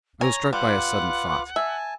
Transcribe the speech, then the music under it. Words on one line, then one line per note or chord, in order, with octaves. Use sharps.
I was struck by a sudden thought.
C#5 G#5 A#5
G3 F4 B4 F#5 D6
E5 G#5 A5